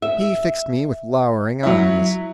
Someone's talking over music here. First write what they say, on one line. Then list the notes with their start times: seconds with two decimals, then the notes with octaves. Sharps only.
He fixed me with lowering eyes.
0.02 E5
1.63 F#3 E4